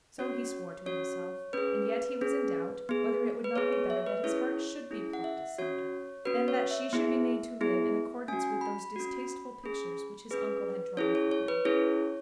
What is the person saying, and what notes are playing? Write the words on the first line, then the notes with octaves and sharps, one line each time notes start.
So he swore to himself;--and yet he was in doubt whether it would not be better that his heart should be plucked asunder, than that she should be made to live in accordance with those distasteful pictures which his uncle had drawn for him.
C#4 F#4 C#5
C#4 F#4 C#5
C#4 G#4 B4
C#4 G#4
B3 G#4
B4
B3 G#4 C#5
C#5
E5
B4
C#4 E4 G#4 C#5
C#4 E4 G#4
F#5
E5
C#4 F#4 C#5
C#4 F#4 B4
C#5
E5
B3 E4 G#4
B3 E4 G#4
C#4 F#4 G#5
B5
B5
C#4 F#4
C#4 G#4
C#4 G#4 B4
C#4 E4 G#4 C#5
C#5
C#5
B4
C#4 E4 G#4 C#5